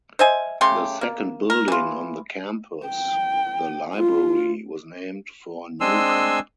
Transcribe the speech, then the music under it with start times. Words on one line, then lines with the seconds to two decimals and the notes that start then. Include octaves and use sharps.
The second building on the campus, the library, was named for Newcomb.
0.19 C5 D#5 E5 G#5
0.61 C#3 A3 G4 C6
1.01 A#3
1.50 A#4
1.68 E3 F4
2.87 G5
3.96 F4
5.81 G#3 C4 D4 G#5 C6 E6